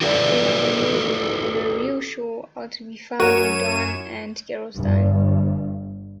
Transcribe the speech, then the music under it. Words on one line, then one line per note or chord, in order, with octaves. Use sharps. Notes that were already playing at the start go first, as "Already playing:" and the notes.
A Gymnasium and a Realschule are to be found in Daun and Gerolstein.
F#4 G4 A4 B4 D5
F#2 F#4 A#4 C#5 D#7 E7
G1 G2